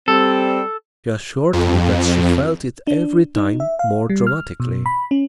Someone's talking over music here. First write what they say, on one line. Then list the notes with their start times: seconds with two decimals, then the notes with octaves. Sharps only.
She assured me that she felt it every time more dramatically.
0.08 G3 C4 A4
1.53 F2
2.87 D4
3.36 D#4
3.60 E5
3.79 F5
4.10 G3
4.27 F6
4.60 B2
4.86 B5
5.11 C#4